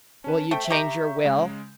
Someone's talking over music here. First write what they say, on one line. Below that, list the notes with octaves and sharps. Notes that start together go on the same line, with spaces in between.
"Will you change your will?"
C#4 B4 A5
A3 C5 E5 G5
G4 A#5 C#6 G6
C#3 G#3